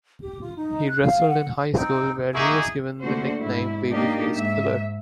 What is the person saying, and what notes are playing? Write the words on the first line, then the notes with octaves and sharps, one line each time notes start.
He wrestled in high school, where he was given the nickname "Baby-Faced Killer".
G4
F4
D#4
F#6
F5
F#5
C4 D#4 G5
A#3 D#4 E4 F#4 G#4 E5
D3 A3 A#3 F#4 C5
G#2 E4
A#3 D4 D#4 G4
G#2 E5